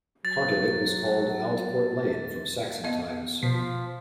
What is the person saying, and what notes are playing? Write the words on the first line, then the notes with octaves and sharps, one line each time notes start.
Part of it was called Aldport Lane from Saxon times.
F#3 A6
B3 D#5 F5
B2 F3 B6 C7